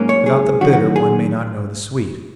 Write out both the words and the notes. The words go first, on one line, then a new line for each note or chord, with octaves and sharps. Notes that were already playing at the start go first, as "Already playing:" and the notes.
Without the bitter one may not know the sweet.
Already playing: G#2 F#3 A#3 C#4
C#5
G#4
F#2 D#3 F#3 C#4 F#4
F#4
G#4